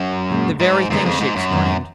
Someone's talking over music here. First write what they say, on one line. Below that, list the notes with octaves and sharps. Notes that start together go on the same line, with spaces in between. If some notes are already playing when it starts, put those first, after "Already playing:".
"The very thing," she exclaimed.
Already playing: F#2
A#2 G#3 C#4
G#2
F#2 C#3 G#3 B3 D#4 G#4
F2
G#2
F#2
F2 D#3 F#3 B3 D#4